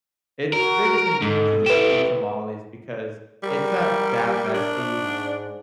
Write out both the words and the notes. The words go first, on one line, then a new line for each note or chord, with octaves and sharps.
It's very convenient to just eat tamales because it's not that messy.
F#4 A#4
G#2 A4
E4 G4 B4 E7
G3 A#4
D4
G#2